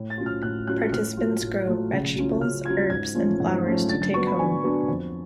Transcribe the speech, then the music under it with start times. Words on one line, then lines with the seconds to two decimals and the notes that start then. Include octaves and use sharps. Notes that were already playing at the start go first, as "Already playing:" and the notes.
Participants grow vegetables, herbs, and flowers to take home.
Already playing: A2
0.10 A6
0.18 F#3 C#4 F4
0.26 F6
0.43 A2 F#6
0.67 F#3 C#4 F4 F#6
0.92 A2 F6
1.17 F#3 A3 F4
1.42 A2
1.67 F#3 A3 F4
1.91 C#3
2.16 F#3 C#4 F4
2.40 C#3 F6
2.65 F#3 C#4 F4 G#6
2.90 G#2 G#6
3.15 F3 A3 C#4 F4
3.40 G#2
3.64 F3 A3 C#4 F4
3.89 D3 A6
4.02 A6
4.13 F#3 B3 D4 C#6
4.27 B5
4.38 D3 G#5
4.64 F#3 B3 D4
4.88 F2